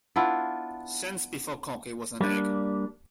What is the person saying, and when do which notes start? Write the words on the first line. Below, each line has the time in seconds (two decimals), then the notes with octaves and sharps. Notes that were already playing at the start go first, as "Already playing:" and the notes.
Since before cocky was an egg.
0.16 B3 D4 E4 F4
2.21 G3 A#3 D4